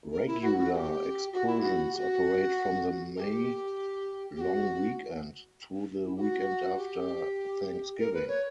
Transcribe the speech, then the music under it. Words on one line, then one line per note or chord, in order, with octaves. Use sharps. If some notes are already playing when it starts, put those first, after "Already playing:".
Regular excursions operate from the May long weekend through to the weekend after Thanksgiving.
A#4
E4
F#4
F#4
A#4
G4
F#4
E4
F#4
G4
F#4
A#4
G4
G4
F#4
E4
G4
F#4
G4
A#4
B4
C#5